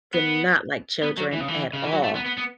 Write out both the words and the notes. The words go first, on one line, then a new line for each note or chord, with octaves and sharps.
did not like children at all.
B3
B3
F#3
E3
C#3
E3
C#3
E3
F#3
A3
B3
B3
B3